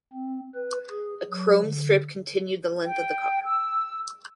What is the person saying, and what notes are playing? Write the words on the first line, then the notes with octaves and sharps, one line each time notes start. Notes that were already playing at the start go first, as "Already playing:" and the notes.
A chrome strip continued the length of the car.
C4
B4
G#4
F#3
D3
G5
E6